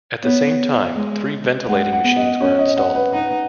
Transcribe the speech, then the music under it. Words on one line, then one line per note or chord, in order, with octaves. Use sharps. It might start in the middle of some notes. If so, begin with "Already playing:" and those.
At the same time, three ventilating machines were installed.
B3 C#5
G#3
G#3 F#5
F#5
B3
D#5
C#4 C#5
D#5
F#5
B4
D#4 F#5